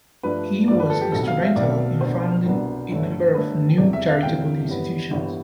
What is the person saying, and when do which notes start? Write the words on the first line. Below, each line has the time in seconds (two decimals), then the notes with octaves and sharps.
He was instrumental in founding a number of new charitable institutions.
0.23 G2 F3 A3 D4 B4
0.68 G2 F3 A3 D4 D5
0.79 B4
0.90 A4
1.01 G4
1.12 B1 B2 A3 C4 A4
1.27 F5
1.42 E5
1.56 B1 B2 A3 C4 D5
2.01 C2 B2 B3 D4 C5
2.46 C2 B2 B3 D4
2.89 G1 G2 D3 A3
3.34 G1 G2 D3 A3 B4
3.78 E1 E2 C3 E3 D5
3.93 E5
4.08 F5
4.23 E1 E2 C3 E3 G5
4.67 G1 G2 E3 G3 B3
5.11 G1 G2 E3 G3 B3